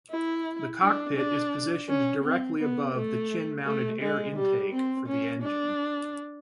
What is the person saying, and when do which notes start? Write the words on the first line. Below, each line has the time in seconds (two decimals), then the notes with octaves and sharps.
The cockpit is positioned directly above the chin-mounted air intake for the engine.
0.11 E4
0.82 D4
1.17 D4
1.89 C#4
2.24 C4
2.58 B3
2.95 A3
3.66 A3
4.01 G#3
4.36 G3
4.72 C4
5.08 C#4
5.42 D4